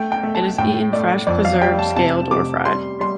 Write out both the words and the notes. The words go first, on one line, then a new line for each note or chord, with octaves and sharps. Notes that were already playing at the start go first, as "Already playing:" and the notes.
It is eaten fresh, preserved, scalded or fried.
Already playing: A3 G5
G5
A3
A5
A2 G5
A3 D5
F2 D5
F5
G3 G5
A5
C3 A5
C3 D6
G3 C6
G3 C6